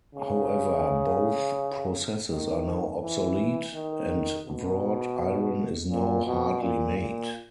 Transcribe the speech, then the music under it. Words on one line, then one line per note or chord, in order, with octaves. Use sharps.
However both processes are now obsolete, and wrought iron is now hardly made.
C#3
D#3
E3
D#3
B2
A#2
B2
A#2
A#2